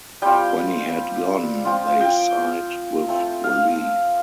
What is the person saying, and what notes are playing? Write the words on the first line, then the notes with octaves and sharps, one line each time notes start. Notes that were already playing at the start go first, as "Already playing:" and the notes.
When he had gone, they sighed with relief.
G3 C4 F4 G5
F3 C4 F4
G5
A3 C4 F4
F5